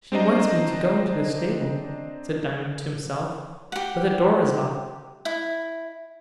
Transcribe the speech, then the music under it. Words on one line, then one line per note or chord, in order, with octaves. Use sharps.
"She wants me to go into the stable," said Diamond to himself, "but the door is locked."
C4 D4 C5 D#5 A#5
G4 F#5
E4